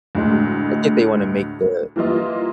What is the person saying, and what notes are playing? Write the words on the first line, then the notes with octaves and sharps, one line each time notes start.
I think they wanna make the
D2 A2 G#3
E3 G3 A#3 F4 D#5